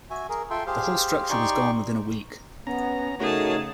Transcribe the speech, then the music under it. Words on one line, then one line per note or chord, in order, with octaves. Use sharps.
The whole structure was gone within a week.
F#4 E5 G#5
G#4 A#4
F4 A4 E5 G5 C6
G4 G#4 C5 F5
D#4 G4 D5 G5 C6 C#6
B3 C#4 A#5
C#3 A3 D#4 F#4 G#4 A#4 C#5 A5